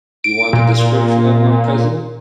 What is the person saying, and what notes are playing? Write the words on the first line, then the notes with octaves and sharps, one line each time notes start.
You want a description of my cousin?
D7
A#2